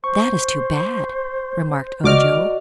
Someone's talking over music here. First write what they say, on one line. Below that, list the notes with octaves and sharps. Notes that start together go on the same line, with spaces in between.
"That is too bad," remarked Ojo.
C5 C#6
C#2 F#4 D5 D#5 D6 F6